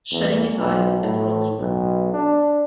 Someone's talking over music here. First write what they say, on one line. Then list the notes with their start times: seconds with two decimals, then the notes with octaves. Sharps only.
Shutting his eyes and rolling.
0.12 E2
0.58 B1
1.03 A2
1.59 B1
2.13 D4